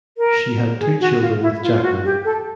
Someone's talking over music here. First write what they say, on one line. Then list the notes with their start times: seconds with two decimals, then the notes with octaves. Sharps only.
She had two children with Jackman.
0.18 A#4
0.80 G#4
1.00 F#4
1.21 F4
1.42 E4
1.63 F4
1.76 F4
1.83 F#4
2.04 G4
2.25 A4